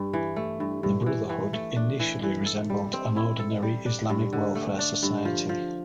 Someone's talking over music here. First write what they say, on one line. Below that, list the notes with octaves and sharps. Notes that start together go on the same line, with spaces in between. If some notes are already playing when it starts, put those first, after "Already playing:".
The Brotherhood initially resembled an ordinary Islamic welfare society.
Already playing: G2
E3
A3
G2
G2
E3
E3
A3
D4
E3
E3
A4
G3
C4
E4
A4
G3
D4
G2
D3
A3
D4
G2
F3
F3